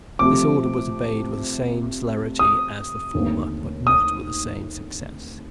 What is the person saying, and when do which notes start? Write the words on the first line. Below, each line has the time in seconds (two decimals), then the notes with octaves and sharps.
This order was obeyed with the same celerity as the former, but not with the same success.
0.19 C3 F3 A3 C4 G4 D6
2.39 D#6
3.14 D#2 D3 A3 C4
3.87 D#6